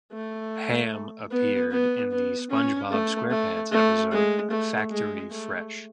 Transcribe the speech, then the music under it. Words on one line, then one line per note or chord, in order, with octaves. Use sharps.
Hamm appeared in the "SpongeBob SquarePants" episode "Factory Fresh".
A3
B3
B3
B3
C#4
A3
A3
A3
G#3
A3
G#3
A3